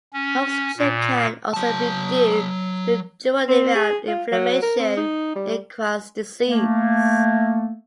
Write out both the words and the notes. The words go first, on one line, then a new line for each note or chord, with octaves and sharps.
Obstruction can also be due to duodenal inflammation in Crohn's disease.
C#4
A#2
F#3 A5
C4
G#4
F4
F#3
A#4
C4
D#4
G3
A3 A#3